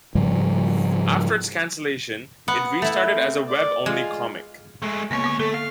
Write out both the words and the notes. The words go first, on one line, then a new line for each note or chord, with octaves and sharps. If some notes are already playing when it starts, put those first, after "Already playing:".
After its cancellation it restarted as a web only comic.
G#2 C#3 F3 G3
B3 F#5
A3 E4 A4
C4
D5
G#3 F4
G#3 A3
C#2 A#3 B3 C#5 G#5
D3 B3
A3 A4
F5